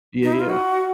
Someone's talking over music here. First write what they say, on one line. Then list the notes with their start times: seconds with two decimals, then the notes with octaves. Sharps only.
Yeah, yeah.
0.23 D#4
0.33 E4
0.40 F4
0.49 F#4